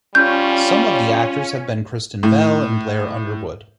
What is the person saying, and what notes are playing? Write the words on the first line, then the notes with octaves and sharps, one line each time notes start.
Some of the actors have been Kristen Bell and Blair Underwood.
G3 C#4 F4 G6
A2